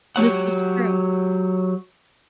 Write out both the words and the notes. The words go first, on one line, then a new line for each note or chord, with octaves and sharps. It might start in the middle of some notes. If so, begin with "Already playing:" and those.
This is true.
F#3 G4 C#5 F#5